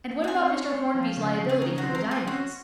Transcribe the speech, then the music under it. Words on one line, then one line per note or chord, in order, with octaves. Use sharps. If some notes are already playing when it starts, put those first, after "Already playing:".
"And what about Mr. Hornby's liability for the diamonds?"
F#5
C4 G#5
C#5
C4
F3
C#3
C#3
G#4
D#3 A#4
F#4
C4
A#4
C4
G#4
C#4 F#4